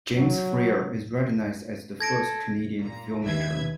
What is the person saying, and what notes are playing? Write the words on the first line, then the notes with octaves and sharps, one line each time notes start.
James Freer is recognized as the first Canadian filmmaker.
F#3
A4 G#6 A#6 D7
A#2 A#5
D#2 B4 E5 G#6